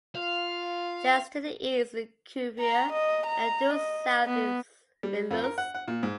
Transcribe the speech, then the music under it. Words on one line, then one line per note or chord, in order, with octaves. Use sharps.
Just to the east is Cuvier, and due south is Lilius.
F4 F5
A#5
D#5
A#5
D#5
B3
G3
F2
A#4
F#5
F#5
A#2
G#2